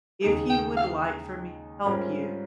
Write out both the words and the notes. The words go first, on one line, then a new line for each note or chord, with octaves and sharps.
If you would like for me to help you,
D#2 C#3 G#3 D#4 G#4
G5
F5
G#2 G3 C#4 F4 A#4